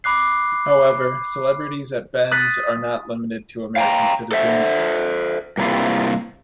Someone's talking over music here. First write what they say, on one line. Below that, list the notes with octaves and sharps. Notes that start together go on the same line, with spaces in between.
However, celebrities at Ben's are not limited to American citizens.
B5 D6 F#6 C7
D#6 F#6 A6 B6
F5 G5 G#5 A#5
A4 C5 E5
G2 C3 A#3 E4 F4